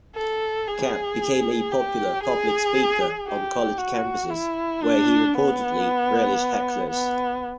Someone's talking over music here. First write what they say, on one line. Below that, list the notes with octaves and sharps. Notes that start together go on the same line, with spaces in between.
Capp became a popular public speaker on college campuses, where he reportedly relished hecklers.
A4
G#4
G4
G#4
G4
F#4
E4
D4
B3
B3